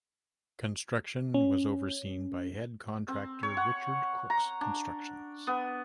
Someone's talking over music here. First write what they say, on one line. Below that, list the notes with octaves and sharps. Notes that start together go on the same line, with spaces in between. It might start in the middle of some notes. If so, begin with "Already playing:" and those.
Construction was overseen by head contractor Richard Crookes Constructions.
C#4
C4
C#5
F#5
A#5
D4
B3